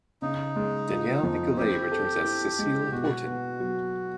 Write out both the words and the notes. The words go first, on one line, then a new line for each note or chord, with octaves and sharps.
Danielle Nicolet returns as Cecile Horton.
C#3 D#4
G#3
F3
F2
C4 G4
A4
E4
G#3
B2 F#4
B3
F#3